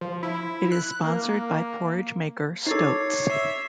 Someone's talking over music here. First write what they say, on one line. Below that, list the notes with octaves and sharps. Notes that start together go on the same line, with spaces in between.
It is sponsored by porridge maker Stoats.
F3
E4
F#6
A#3
D#4 A4 C#5 D6 A6 C7
E5 C7